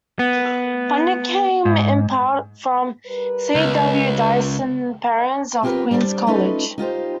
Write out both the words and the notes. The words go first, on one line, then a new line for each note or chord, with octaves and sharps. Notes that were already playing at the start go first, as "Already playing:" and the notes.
Funding came in part from C. W. Dyson Perrins of Queen's College.
B3
G#2
G3 A#4 B4
C#2
C4 F4 G4 G#4 A#4 B4
G3 D4 C5 D5
A3 C#4 D#4 F4 A4 B4
D#4 F4 G4 C5